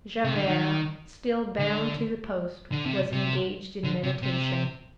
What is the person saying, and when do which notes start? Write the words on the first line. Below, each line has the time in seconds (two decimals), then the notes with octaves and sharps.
Javert, still bound to the post, was engaged in meditation.
0.24 C3
0.35 D3
0.46 D#3
1.59 D3
2.72 D3
2.86 C3
3.12 C3
3.84 D3
4.03 C3
4.23 C3